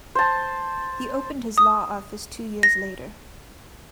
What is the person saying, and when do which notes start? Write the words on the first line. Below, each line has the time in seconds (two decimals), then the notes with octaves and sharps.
He opened his law office two years later.
0.15 C5 A5
1.58 D#6
2.63 A#6